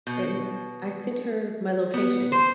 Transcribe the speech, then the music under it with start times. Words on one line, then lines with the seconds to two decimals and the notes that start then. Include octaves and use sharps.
And I sent her my location
0.07 B2
1.94 B3
2.32 C5